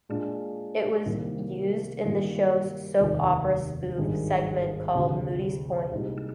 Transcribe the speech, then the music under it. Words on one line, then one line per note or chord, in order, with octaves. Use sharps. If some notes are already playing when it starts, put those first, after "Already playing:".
It was used in the show's soap opera spoof segment called "Moody's Point".
A#2 G#3 D4 F4
C2 C3 D#3 A#3
G2 D#3 G3 A#3 F4
F1 D#2 D#3
G#1 G2 D#3 G#3 D#4
D2 C3 F3 G#3
C2 A#2 G#3 D#4 G4